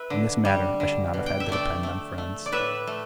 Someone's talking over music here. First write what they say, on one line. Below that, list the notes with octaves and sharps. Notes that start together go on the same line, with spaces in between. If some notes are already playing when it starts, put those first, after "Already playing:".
In this matter I should not have had to depend on friends.
Already playing: B4 E5
D3
G3
D3
B2
G5
E5
A3 D5 G5
A3
A3
D5
A2 B4 E5
A3